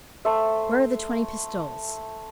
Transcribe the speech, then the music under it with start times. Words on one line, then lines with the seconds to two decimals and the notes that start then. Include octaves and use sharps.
"Where are the twenty pistoles?"
0.25 A3 C5 E5